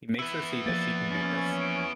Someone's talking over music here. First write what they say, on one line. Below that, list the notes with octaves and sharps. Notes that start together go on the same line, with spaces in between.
He makes her see that she can do this.
B3 E4
F3 A#3 A6
C#4 A6
D7